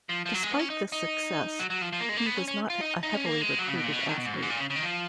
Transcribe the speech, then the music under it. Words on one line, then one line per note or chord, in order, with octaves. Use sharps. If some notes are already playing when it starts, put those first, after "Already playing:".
Despite this success, he was not a heavily recruited athlete.
F3
F3
F#3
G#3
B3
C#4
D#4
D#4
F#3
F#3
F3
F3
A#3
G#3
A#3
B3
C#4
C#4
F4
D#4
D#4
C#4
A#3
G#3
F#3
C#3
B2
A#2
B2
C#3
D#3
B2
G#2
F#2
G#2
A#2
C#3
C#3
D#3
F3